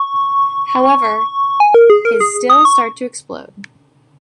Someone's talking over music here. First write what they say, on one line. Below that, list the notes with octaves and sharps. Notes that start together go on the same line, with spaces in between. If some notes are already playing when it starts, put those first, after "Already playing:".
However, his stills start to explode.
Already playing: C#6
G#5
A#4
G#4
A#4
G#4
D#6
C#6